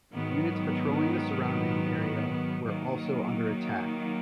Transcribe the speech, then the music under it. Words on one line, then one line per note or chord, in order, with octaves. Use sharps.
Units patrolling the surrounding area were also under attack.
G#2 D#3 F#3 B3
D#3 F#3 A#3